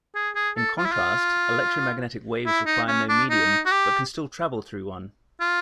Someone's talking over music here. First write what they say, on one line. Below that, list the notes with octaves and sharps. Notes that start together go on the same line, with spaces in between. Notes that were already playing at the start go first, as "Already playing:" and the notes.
In contrast, electromagnetic waves require no medium, but can still travel through one.
G#4
G#4
A4
F4
E4
F4
E4
D#4
C#4
D4
D#4
F#4
G4
F4